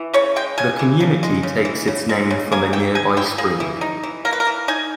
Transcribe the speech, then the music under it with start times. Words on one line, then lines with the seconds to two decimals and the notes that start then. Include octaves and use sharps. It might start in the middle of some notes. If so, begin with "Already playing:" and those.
The community takes its name from a nearby spring.
Already playing: E3
0.14 C#3 C#5
0.36 G#3 G5
0.58 C#3 G#5
0.79 E3
1.00 C#3
1.23 G#3
1.43 C#3
1.65 E3
1.88 C#3
2.09 G#3
2.31 C#3
2.52 A#3 G#5
2.73 E3 G5
2.95 D#4 G#5
3.17 E3 G5
3.38 A#3 G#4
3.60 E3
3.81 D#4
4.03 E3
4.25 A#3 A#4
4.33 B4
4.40 A#4
4.47 E3
4.68 D#4 G#5